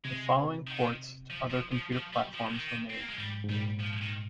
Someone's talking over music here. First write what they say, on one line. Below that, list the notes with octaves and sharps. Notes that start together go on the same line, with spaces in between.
The following ports to other computer platforms were made.
C3 G#3
D#3
F3
F3
F3
F3
G3
F3
D#3
C4
A#3
G#3
G#2 G3
G#2
A#2 G3
F3
D#3